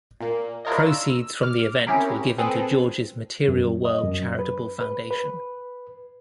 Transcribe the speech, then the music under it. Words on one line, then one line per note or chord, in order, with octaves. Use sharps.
Proceeds from the event were given to George's Material World Charitable Foundation.
A#2 A#3
D4 E4 F4 A#4 C#5 D#5
E6
D6 F6
C4 C#4 E4 G4 G#4 A#4
C4 G#4 A4 B4
F#2
D#5
F#2
B4
B4
B4